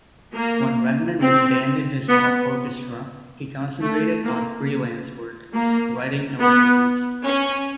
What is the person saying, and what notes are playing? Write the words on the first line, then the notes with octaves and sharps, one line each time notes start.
When Redman disbanded his orchestra, he concentrated on freelance work writing arrangements.
A#3
C4
B3
A3
A#3
A#3
B3
C#4